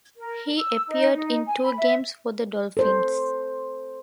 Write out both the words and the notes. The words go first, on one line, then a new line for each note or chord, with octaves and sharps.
He appeared in two games for the Dolphins.
A#4
E6
D#4
D#4
G#5
B5
E5
A4 C5